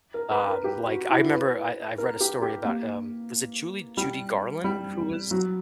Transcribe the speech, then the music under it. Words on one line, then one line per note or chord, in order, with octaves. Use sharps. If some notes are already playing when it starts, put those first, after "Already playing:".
um, like, I remember I I read a story about um, was it Julie Judy Garland who was
A#4
B4
A#4
G4
F#4
E4
B4
A#4
G4
G4
A#3
G3
G3
F#3